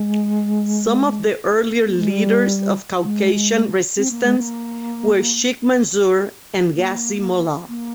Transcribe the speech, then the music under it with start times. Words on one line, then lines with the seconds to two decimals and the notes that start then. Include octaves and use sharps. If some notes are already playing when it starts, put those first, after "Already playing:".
Some of the earlier leaders of Caucasian resistance were Sheikh Mansur and Ghazi Mollah.
Already playing: G#3
1.86 A#3
1.98 G#3
2.10 G3
3.03 G#3
3.96 C4
4.10 A#3
4.24 G#3
4.38 A#3
6.76 A#3
7.68 A#3